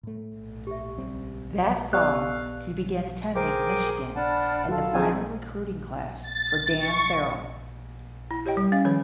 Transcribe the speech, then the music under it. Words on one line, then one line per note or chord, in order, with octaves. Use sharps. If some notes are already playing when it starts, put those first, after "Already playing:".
That fall he began attending Michigan in the final recruiting class for Dan Farrell.
A2 A3
G4 E5
C#2 G3 C4
B3 G4 A4 D5 D#5 F5 F#6
G#4 A#4 C5 G5 D6
D4 F#5 A5 B5 F6
F#3 F4 A4
F3 C4 D#4 G#4 G#5
A6
C#6
E4
G4 C#5 D#5 G5
G3
C#4 F5
D#3 F3 C#5